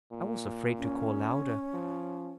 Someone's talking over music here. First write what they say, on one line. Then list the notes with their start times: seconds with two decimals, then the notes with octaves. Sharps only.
I was afraid to call louder.
0.12 A#2
0.78 C#4
1.74 F3